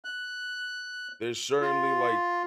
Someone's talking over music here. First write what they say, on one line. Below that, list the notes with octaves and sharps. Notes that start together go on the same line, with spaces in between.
there's certainly, like,
F#6
F4